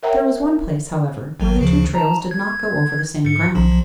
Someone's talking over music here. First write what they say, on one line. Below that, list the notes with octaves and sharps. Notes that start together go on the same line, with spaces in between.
There was one place, however, where the two trails did not go over the same ground.
A#4 C#5 E5 F#5 G5 A#5
G#1 F#3
D2 C#3 F3
A5 A#5
G#6
G#2 C#7
B1 F3